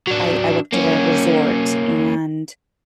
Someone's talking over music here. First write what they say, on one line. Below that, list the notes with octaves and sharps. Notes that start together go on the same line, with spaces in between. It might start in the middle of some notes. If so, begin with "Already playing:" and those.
I I worked at a resort, and
F#3 D4
A#3 C#4